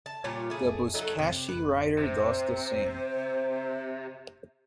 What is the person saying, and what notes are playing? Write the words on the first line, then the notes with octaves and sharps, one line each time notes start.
The Buzkashi rider does the same.
A5
A#2 G3 F4 C#5
A3 G#4
F#3 A3 D#4 A4
C3
B4
C3 C5